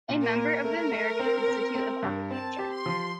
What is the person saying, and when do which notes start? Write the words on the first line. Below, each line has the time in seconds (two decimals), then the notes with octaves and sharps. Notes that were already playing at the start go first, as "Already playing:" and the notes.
A member of the American Institute of Architecture.
0.09 A#2
0.22 A#4
0.36 A#3
0.64 A3
0.92 A3
1.19 C4
1.48 C4
1.75 C4
2.03 G2
2.31 C4 A5
2.59 G4
2.73 C6
2.86 F3